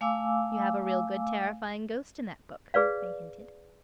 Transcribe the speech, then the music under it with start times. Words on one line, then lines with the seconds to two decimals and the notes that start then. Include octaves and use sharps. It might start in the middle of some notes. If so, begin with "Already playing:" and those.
"You have a real good terrifying Ghost in that book?" I hinted.
0.01 A3 F5 G#5 D6 E6
2.74 G#4 B4 D5 F5